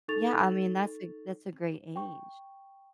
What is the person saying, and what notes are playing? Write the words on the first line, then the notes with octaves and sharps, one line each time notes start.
Yeah, I mean, that's a that's a great age.
D#4 A4 C#6 A6 F7
G5 C#6